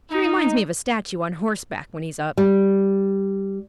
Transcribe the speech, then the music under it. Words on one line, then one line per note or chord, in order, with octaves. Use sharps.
He reminds me of a statue on horseback, when he's up.
D#4
G3